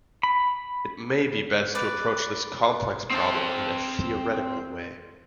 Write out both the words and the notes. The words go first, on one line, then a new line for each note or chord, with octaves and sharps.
It may be best to approach this complex problem in a theoretical way.
B5
B4 D5
C4 A5